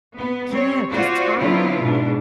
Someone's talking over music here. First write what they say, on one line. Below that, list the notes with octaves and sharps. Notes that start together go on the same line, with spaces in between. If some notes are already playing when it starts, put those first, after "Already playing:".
Yeah, 'cause time
B3
G3 C4 C#5
F4 F#4 C5 D5
D3 F#3 B3 C4 E4 F4
G#2 B2 D4